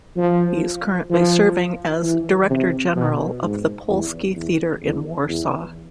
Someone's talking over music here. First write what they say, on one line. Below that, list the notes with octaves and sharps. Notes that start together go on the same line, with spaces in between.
He is currently serving as director general of the Polski Theatre in Warsaw.
F3
F3
E3
C3
B2
G#2
E2
E2
E2
E2